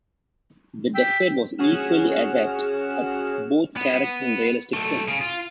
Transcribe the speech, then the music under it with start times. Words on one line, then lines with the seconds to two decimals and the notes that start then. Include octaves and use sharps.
The decade was equally adept at both character and realistic films.
0.95 G5 E6 B6
1.58 C#4 F#4 G#4 F#5 F6 E7
3.76 B3
4.73 B1 A3
5.08 C#3
5.21 F4